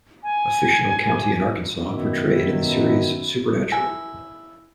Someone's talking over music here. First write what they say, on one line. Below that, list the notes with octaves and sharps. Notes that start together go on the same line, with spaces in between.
A fictional county in Arkansas portrayed in the series "Supernatural".
G#5
F#2 B2 D#3 E4
E4 G#5